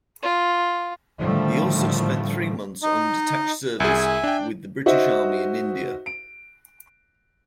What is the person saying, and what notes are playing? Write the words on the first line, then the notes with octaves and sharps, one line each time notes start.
He also spent three months on detached service with the British Army in India.
F4
A2 D3 D#3 F3 G3 A3
D#4 D#5
C2 G#4 E5 G#5
D4 G5
D#4 F#4 C5 D#5 E5
D7